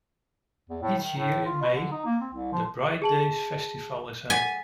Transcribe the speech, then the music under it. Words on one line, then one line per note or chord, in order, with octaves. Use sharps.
Each year in May, the Bright Days festival is held.
E2
A2
D#3
A2
F4
B2
D3
D#4
A#3
C4
C2
F3
G#4 A5 F#7
F#5 G#5 A6 B6